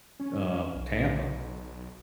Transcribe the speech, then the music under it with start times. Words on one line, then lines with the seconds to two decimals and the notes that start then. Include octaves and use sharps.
uh, Tampa;
0.20 C#4
0.75 B1